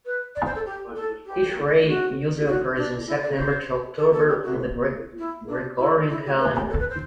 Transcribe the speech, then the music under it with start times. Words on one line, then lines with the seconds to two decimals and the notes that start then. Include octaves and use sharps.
Tishrei usually occurs in September-October on the Gregorian calendar.
0.06 B4
0.35 D5
0.46 C5
0.55 A4
0.66 G4
0.96 A4
1.26 G4
1.87 F#4
2.47 F#4
2.77 D4
3.07 E4
3.23 D5
3.37 C5
3.98 A4
4.13 A4
4.29 G4
4.44 F#4
5.18 E4
5.49 D4
5.79 E4
6.09 E4
6.25 G4
6.39 B4
6.55 G4
6.70 A4
6.80 B4
6.90 C5